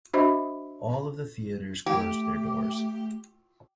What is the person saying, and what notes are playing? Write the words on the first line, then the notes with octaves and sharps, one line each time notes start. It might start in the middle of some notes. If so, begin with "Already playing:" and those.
All of the theaters closed their doors.
D4 F#4 C5 D#5 E5 B5
A3 G4